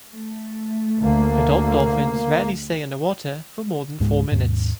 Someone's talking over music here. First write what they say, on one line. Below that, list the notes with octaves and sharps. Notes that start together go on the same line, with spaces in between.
Adult dolphins rarely stay under water for more than four minutes.
A3
D2 A#3
C#2 G#2 G#3
D#2 G#2